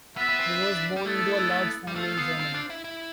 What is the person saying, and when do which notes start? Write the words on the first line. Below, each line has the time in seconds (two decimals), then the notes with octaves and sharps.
He was born into a large family in Germany.
0.17 B3 F4 B4 E5
0.29 B3
0.39 C4
0.61 D4
0.96 G3
1.06 A3 B3 E4 A4
1.87 G3
1.96 A3 F4 A4 C5 F5
2.17 B3
2.40 C4
2.54 D4
2.70 E4
2.84 E4